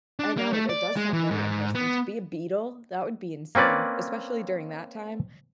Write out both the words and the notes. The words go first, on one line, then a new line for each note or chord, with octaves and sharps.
I know it it does sound very interesting to be a Beatle, that would be insane, especially during that time.
D4
A#3
A3
D5
G#3
E3
G#2
B3
A#3 C4 C#4 B4 D5